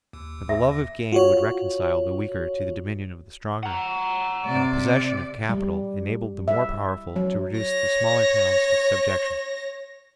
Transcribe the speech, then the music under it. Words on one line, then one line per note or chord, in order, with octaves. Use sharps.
For the love of gain would reconcile the weaker to the dominion of the stronger, and the possession of capital enabled the more powerful to reduce the smaller towns to subjection.
D#2
E5
F4 F#4 C#5
F#5 A#5
C3 D5
G3
E5
F#3
C#5 A#6